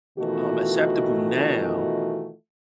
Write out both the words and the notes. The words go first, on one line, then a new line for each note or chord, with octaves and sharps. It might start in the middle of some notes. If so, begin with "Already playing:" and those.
um, acceptable now
B2 D#3 E3 A3 F4 F#4